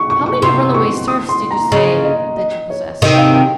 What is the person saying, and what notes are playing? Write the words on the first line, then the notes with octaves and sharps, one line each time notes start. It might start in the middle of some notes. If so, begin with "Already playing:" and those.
How many runaway serfs did you say that you possess?
Already playing: C#6
C#6
C#6
C3 C6
C#6
D#6
C6
A#5
C#3 D#5
D#5
D#5
C#5
C3 D#3 D#5
F5
G5